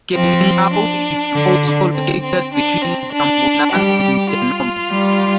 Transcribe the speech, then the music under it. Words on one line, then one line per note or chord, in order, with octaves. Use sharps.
Keningau is also located between Tambunan and Tenom.
F3 C4
D4
D3
C4
C4
D4
C4
D4
G3 G4
F4
G3